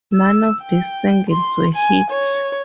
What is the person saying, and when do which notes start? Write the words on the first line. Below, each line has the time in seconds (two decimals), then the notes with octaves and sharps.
None of these singles were hits.
0.14 E6
0.63 G5
1.29 C6
1.75 G#5
2.10 C#5